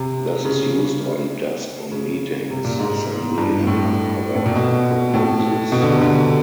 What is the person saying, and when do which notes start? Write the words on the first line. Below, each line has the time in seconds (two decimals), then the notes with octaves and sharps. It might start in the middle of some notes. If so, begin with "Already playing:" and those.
This Is Used on Desk On Meetings, Assembly and on Other Proposes.
Already playing: C3
0.45 C#3
1.91 C#3
2.50 C3
2.65 A#2
2.80 G#2
3.38 G2
3.67 A2
4.35 A2
4.46 A#2
4.55 B2
5.14 A2
5.72 B2
5.82 D3
5.92 C3
6.02 D3